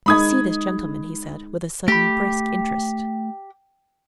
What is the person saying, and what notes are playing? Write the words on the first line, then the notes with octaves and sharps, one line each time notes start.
"I'll see this gentleman," he said, with a sudden brisk interest.
G#3 D#4 B5 D#6 G#6
A3 G4 B5